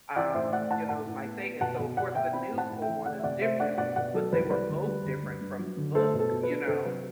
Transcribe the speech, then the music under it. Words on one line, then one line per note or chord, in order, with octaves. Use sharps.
um, you know, it's my thing, and so of course the new school one is different, but they were both different from the book, you know.
E3 D5 F#5
A2 C5 E5
A3 D5 F#5
A2 F#5 A5
A2 F#5 A5
A2
B3
B3
B2 F#5 A5
B2
B2 D5 F#5
B2 E5 G5
C4 G5 B5
A2
F#5 A5
A2
E5 G5
E3
A3 D5 F#5
E5
C3 D5 F#5
A3 C5 E5
D4 D5 F#5
B2 D5 F#5
B2 D5 F#5
F#3 A4
C2 B4
G3 B4 D5
D2
G3
D2
G2
G2
F#3
D3
A3 A4 C5
B2
A4
B2
B4
D4
C3 A4 C5
F#3 B4